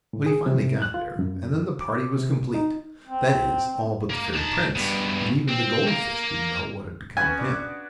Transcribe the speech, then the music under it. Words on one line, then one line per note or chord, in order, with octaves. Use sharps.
But he finally got there, and then the party was complete; that is, all but the fairy prince, and even the goldfish didn't know what had become of him.
A2
G#4
C3
F#6
F4
F#2
D6
C3
D#4
C4
A#3
D#4 A5
G2 B2
C4
A#3
B3 C#4 F#4 G#5
D4